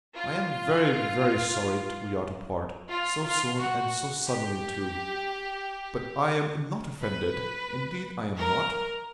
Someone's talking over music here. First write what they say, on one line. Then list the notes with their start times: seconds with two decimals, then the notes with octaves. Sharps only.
I am very, very sorry we are to part--so soon, and so suddenly too; but I am not offended, indeed I am not.
0.15 F4
2.89 F4
3.24 F4
3.58 F#4
4.27 G4
7.01 B4
8.38 A#4